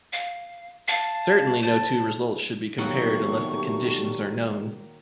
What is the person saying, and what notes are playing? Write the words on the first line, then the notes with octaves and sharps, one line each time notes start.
Certainly no two results should be compared unless the conditions are known.
F5
F5 A5
C5 A5
B1 D#3 F#3 G3 A3 A#3 G4 C#6